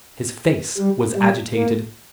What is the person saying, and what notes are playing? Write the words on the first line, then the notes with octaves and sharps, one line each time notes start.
His face was agitated.
G3
G3
A#3